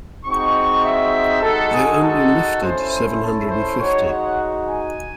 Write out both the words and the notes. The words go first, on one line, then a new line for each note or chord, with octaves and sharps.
They only lifted seven hundred and fifty.
G#3 C4 D#4 F#4 C#6
E5
G#3 D#4 F#4 A4
G#4
A4
A3 C#4 E4 C5
C5
A4
C5
G#3 D#4 F#4 C#5
F#5
G#5